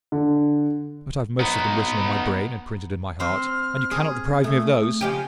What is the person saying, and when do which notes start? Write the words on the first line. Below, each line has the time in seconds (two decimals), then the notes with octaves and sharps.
But I've most of them written on my brain and printed in my heart, and you cannot deprive me of those!'
0.12 D3
1.40 B3 D#4
3.20 C4 C5 F6
3.91 G#4
4.44 A3 D#6
5.01 C#3 F3 G4 G#5